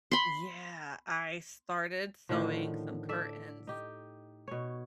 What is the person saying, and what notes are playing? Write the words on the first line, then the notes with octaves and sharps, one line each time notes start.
Yeah, I started sewing some curtains,
B5 C6
A2 D3 D#3 F3
A4 D5 E5
D#4 G4
B2 C#5